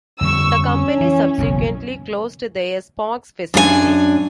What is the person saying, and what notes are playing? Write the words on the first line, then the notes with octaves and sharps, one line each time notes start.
The company subsequently closed their Sparks facility.
F2 D3 G3 C#6 E6
C#4
E3
F#1 B1 E2
F#2 D4 G4 G#5